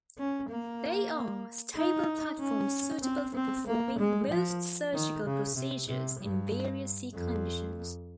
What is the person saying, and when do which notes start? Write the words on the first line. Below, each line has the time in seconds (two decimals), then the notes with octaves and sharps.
They are stable platforms suitable for performing most surgical procedures in various sea conditions.
0.18 C#4
0.50 A#3
1.76 D#4
2.40 C#4
3.03 C4
3.35 C4
3.67 A#3
3.99 G#3
4.30 F3
4.93 D#3
5.25 C#3
5.56 C3
5.88 C3
6.20 G2
7.15 F2